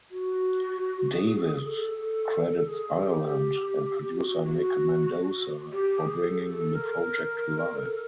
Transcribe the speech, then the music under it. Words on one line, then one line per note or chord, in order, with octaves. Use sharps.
Davis credits Ireland and producer Nic Mendoza for bringing the project to life.
F#4
G#4
A4
G#4
G#4
G4
F#4
F#4
G4
G#4
A4
A4
A#4
A4